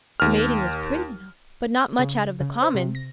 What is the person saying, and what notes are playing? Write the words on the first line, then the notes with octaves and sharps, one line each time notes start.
The maiden was pretty enough, but not much out of the common.
D#2 F6
C#3
C#3
C5
C3
A#6